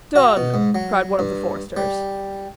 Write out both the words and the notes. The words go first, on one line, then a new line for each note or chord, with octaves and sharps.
"Done!" cried one of the foresters.
F#4
B2
G#2
F#3
G2
G3